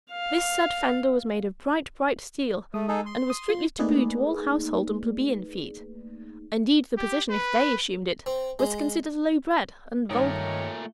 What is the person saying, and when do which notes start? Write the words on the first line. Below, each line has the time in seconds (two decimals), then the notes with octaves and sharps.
This said fender was made of bright, bright steel, and was strictly tabooed to all household and plebeian feet; indeed the position, if they assumed it, was considered low-bred and vulgar.
0.11 F5
2.74 G#3 A3 D#6
2.88 D#4 G#4 A4
3.06 C6
3.30 D#6
3.49 F4
3.79 A3 A#3 D#4 G#4 B4 D5
6.98 G4
7.31 B4
8.26 C4
8.59 G#3
10.10 G2 A#2 D#3 A3 G4 A#4 C#5 D#5